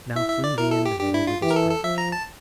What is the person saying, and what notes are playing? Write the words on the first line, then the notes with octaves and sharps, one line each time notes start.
Now fling the end of it over this branch.
E4 E5
E5
D5
E4 A#4
A4
G4
D4 G4
E4
F4
E3 G4
A#4
A4
A4
F3 E5
A#5
A5